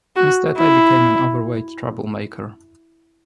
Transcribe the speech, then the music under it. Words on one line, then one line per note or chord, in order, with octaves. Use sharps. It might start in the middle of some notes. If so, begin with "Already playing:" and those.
Instead, I became an overweight troublemaker.
F#4
E4